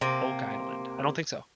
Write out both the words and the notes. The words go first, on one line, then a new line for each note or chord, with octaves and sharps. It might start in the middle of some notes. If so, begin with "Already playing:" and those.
Oak Island, I don't think so.
C3 A#3